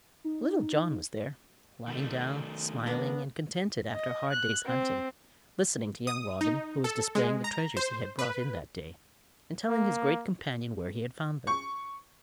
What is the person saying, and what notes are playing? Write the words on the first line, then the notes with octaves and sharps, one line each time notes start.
Little John was there, lying down, smiling and contented after a hard day's hunting, listening to young Robin, who was displaying the treasures he had brought in that day, and telling his great companion where he had found them.
D#4
D#3 A3
B3 D4 A#4
D#5
F#6
C4
D#6
D#4
A4
G#3
A#5
C5
B4
A#3
C#6